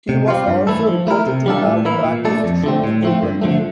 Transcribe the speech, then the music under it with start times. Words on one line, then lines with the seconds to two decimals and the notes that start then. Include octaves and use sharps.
He was also reported to have practiced shooting frequently.
0.09 C3
0.28 G3 C4 F4
0.48 G2
0.67 E3 A3 E4 A4
0.87 F3
1.07 A3 E4 A#4
1.26 C3
1.46 G3 D4 F4 A4
1.66 A2
1.85 E3 A#3 E4
2.04 A#2
2.25 A3 D4 A4
2.44 F2
2.64 D3 A3 C4
2.84 A2
3.03 F3 A3 C4
3.23 G2
3.41 D3 F3 A3